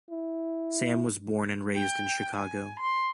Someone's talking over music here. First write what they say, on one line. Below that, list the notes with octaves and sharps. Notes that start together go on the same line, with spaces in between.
Sam was born and raised in Chicago.
E4
G5
G#5
C6